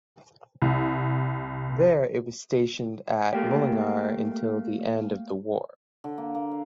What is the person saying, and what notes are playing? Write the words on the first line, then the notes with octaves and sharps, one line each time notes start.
There it was stationed at Mullingar until the end of the war.
C2
A3 A#3 G4
D3
A#3
A#3
F5